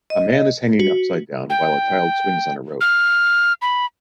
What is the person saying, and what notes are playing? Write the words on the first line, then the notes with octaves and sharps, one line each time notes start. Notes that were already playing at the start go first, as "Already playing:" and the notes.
A man is hanging upside down while a child swings on a rope.
D#5
F#4
G5
F6
B5